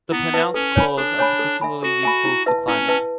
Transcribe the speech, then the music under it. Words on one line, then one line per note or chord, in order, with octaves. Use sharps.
The pronounced claws are particularly useful for climbing.
B3 E4
B4 E5 A5
C#4 A4
C#5 G#5 B5
D4 A4
C#5 G#5 B5
A4
E5 G#5 B5
F#4 A4
E5 G#5 B5
E4
B4 E5 A5
C#4 E4
B4 E5 A5